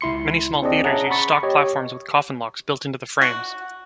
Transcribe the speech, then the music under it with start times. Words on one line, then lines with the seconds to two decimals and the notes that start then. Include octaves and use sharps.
Many small theatres use stock platforms with coffin locks built into the frames.
0.01 C#2 E4 C6 C#7
0.62 C4 D4 G#4 D5 D#5
0.83 C#4 G#4 E5 F#5 A5 A#5
1.11 B5 C#6 A6 C#7
1.43 G4 C#5 D#5
3.21 F#4